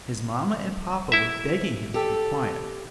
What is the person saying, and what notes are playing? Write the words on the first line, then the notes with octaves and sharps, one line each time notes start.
His mamma and papa were begging him to be quiet.
E4 E5
G4 A4